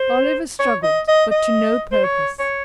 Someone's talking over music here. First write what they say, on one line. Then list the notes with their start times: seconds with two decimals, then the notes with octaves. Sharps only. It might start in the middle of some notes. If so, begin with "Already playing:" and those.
Oliver struggled, but to no purpose.
Already playing: C5
0.59 C#5
0.83 D#5
1.08 D#5
1.31 D#5
1.92 C5
2.04 C#5
2.39 C#5